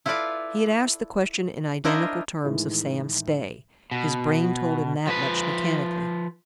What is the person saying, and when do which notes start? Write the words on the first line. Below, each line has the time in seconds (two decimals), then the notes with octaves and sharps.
He had asked the question in identical terms of Sam Stay--his brain told him that much, mechanically.
0.06 E4 F4 A4 B4 D5 F5
1.84 D4 E4 F4 A#4 C5 D#5
2.44 A2 D#3 E3 G#3
3.91 B2
5.07 F3 B4